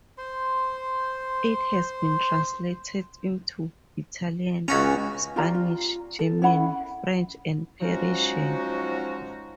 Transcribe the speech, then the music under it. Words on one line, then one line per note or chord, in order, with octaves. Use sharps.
It has been translated into Italian, Spanish, German, French, and Persian.
C5 C6
C#2 C#4 F#4 A#5
F4 G4 D5 A#5
F4
A4
C#4 E4 F#5 B5
F3 F#3 G#3 C#4 D#4 F#4